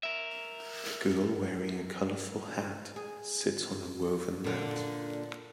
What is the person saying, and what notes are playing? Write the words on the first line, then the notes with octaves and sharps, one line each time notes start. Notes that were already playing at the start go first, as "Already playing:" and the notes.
A girl wearing a colorful hat sits on a woven mat.
A#4 E5
G#4
A#2 D3